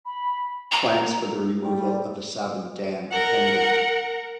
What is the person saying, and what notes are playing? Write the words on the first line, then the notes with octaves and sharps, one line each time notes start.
Plans for the removal of the Sabin Dam are pending.
B5
A#5
G3
A#4 F#5